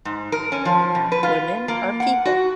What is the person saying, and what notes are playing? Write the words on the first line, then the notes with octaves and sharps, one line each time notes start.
Women are people.
G#2
A#4
C#4
F3
B2
B4
F4
A#3
F#5
F#4